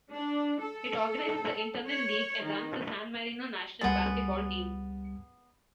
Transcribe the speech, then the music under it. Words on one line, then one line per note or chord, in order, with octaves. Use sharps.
It organizes the internal league and runs the San Marino national basketball team.
D4
A4
C#5
D#3
C#2 G3 G#3 B3 A6